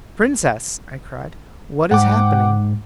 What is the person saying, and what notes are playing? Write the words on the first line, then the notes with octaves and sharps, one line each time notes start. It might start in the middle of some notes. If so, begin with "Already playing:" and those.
"Princess!" I cried, "what is happening?"
G#2 F#5 G5 D6